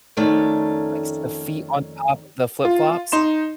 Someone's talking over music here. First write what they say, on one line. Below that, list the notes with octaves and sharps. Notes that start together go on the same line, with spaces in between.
like, the feet on top of the flip flops?
F2 D#3 A3 C#4 D5
F4
D#4 C6 E7